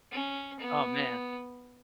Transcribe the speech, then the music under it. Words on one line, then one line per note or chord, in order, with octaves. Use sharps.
Oh, man.
C#4
B3